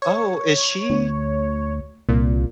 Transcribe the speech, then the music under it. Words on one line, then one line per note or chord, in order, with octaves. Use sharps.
Oh, is she
C#5
D2
C2 A#2